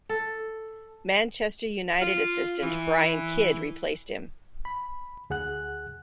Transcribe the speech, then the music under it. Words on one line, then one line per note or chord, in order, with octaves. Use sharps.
Manchester United assistant Brian Kidd replaced him.
A4
F4
E3
B5
D2 G#4 F#5 F#6